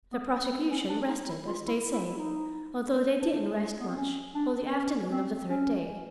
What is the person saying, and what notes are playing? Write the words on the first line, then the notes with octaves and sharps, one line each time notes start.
The prosecution "rested," as they say, although they didn't rest much, on the afternoon of the third day.
B3
C4
C4
C#4
D4
D#4
E4
F4
E4
E4
E4
D#4
D4
B3
C4
C#4
D4
C#4
C4
C#4